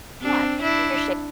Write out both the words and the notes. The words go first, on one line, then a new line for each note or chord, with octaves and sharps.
Yeah, thank you for shar
C4 D4
D4 E4